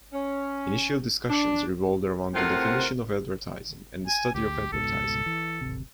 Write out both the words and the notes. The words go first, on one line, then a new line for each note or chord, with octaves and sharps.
Initial discussions revolved around the definition of advertising and the study of advertising.
C#4
D4
A2 C3 C4 F4 A#4 F#5
G#5
D2 G4
C#2 G#2 B2 A4
E3
D1 G#1 C3